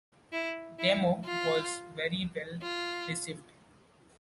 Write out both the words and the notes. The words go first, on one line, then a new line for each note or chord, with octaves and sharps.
"Demo" was very well received.
E4
E4
F4
F4